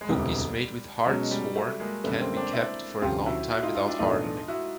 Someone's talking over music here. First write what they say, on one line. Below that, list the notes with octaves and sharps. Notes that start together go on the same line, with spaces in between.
Cookies made with hartshorn can be kept for a long time without hardening.
G#3
E1 D2 C3 E3 G3
B2 F#3 G#3 C#4
G3
G3 A3
G#3 A#3
F#2 D3 G3 A3 B3
A#3 C4
C4 D4
D4 E4
D2 C3 F3 A3 C#4 F4 G4
E4 F#4
E4 F#4
D#4 F4
D#4 F4
D4 E4
B1 A2 E3 A3 D4 D#4 F4
E4 F#4